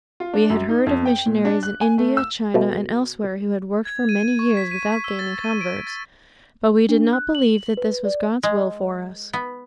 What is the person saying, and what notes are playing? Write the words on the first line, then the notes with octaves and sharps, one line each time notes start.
We had heard of missionaries in India, China, and elsewhere, who had worked for many years without gaining converts; but we did not believe that this was God's will for us.
F4
D4
F#2
D#4
F2
G5
A#2
D4
F#6
G#5
A3
E6
B2 A3
G#6
D#7
C#6
B6
D#7
B6
E6
A6
D#7
D7
A6
D4
F#6
F#7
B4
D5
G#3
B3